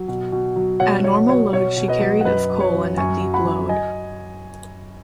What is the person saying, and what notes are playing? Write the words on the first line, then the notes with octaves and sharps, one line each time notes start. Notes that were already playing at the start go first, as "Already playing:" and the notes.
At normal load she carried of coal and at deep load.
Already playing: F#3
B2
B2
F#3
B2 C#5 F#5
B2 C#5
F#3 C#5
B2 C#5
B2
B4 D#5
F#3
F#5
F#2 B4 D#5
F#3
C#5
F#2
F#2 G#5 C#6
F#3
F#5 B5
F#2
D#5 G#5